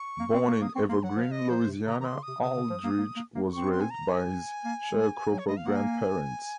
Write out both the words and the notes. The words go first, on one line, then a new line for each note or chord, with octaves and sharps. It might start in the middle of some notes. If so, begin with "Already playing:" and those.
Born in Evergreen, Louisiana, Aldridge was raised by his sharecropper grandparents.
Already playing: C#6
A#3
C4
A#3
A#3 D#6
C4 C#6
A#3 C6
F#3 F#5
F3
F5
D#5
F3 C5
C3
C#3 A#5
D#3 A#5
C6
C#3
C3 D#6
C#3 D#6
C#3
F3
A#3
A#3
A#3
A#3
C4 C#6
C6
G#5
A#5
G#5
A#3
G#3
F#3
C#5
G#3 D#5
F5
A#3 F#5
G#5